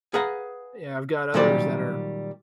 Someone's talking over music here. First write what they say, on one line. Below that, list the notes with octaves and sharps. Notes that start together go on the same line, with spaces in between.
yeah, I've got others that are
G#4 B4 F5 F#5 A#5
A#2 D#3 F#3 G3 C5 D5